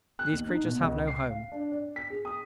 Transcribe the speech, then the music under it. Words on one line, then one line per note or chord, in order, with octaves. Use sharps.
These creatures have no home.
F#6
D#2
D#4
B2
C#2
C7
F5
D4
D5
B6
G#4
D#6